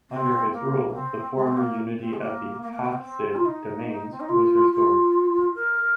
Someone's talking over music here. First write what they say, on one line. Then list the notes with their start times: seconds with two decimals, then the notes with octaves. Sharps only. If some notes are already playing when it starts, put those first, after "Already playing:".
Under his rule the former unity of the Hafsid domains was restored.
0.10 C4
0.52 A#3
0.88 A#3
0.94 C4
1.36 G#3
1.47 C4
1.57 A#3
1.99 C4
2.13 G#3
2.20 A#3
2.62 A#3
2.72 A#3
2.82 C4
2.89 A#3
2.93 C4
3.04 C4
3.35 F4
3.45 D#4
4.11 C4
4.20 D#4
4.29 F4
4.72 F4
5.55 A#4